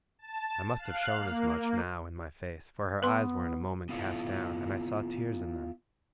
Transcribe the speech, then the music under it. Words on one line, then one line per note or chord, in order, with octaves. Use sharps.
I must have shown as much, now, in my face; for her eyes were in a moment cast down, and I saw tears in them.
A5
F5 F#6
A#3
B3 B4 C6
B3 E4 F4 A4 C#5